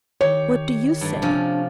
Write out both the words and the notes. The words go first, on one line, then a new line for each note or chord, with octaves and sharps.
What do you say?'
D#3 G4 C#5
G2 A3
C3 F3 C#4 D4